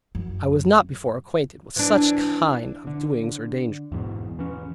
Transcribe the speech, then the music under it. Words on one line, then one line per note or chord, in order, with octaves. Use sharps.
I was not before acquainted with such kind of doings or dangers.
F#2
E3 D4
D3
E2 G#2 B2
E3 C#4